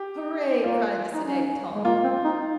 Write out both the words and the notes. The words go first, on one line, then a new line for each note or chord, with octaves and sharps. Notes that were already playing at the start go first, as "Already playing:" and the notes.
"Hooray," cried the sedate Tom.
Already playing: G4
A#3 F4
D#4
C#4
G#3
A#3 F4
C4
D#4